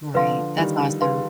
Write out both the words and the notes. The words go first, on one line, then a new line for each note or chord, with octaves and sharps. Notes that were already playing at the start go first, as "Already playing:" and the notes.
Right, that's awesome.
D3 F3 B4 F5 C6
D#3 G3
B4 F5 C6